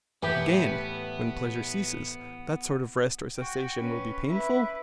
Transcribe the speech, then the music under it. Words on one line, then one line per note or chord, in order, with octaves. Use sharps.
Again, when pleasure ceases, that sort of rest or cessation will be painful?
A2 E3 B3 G4
F#4 G5
C#4 B4
E4 B4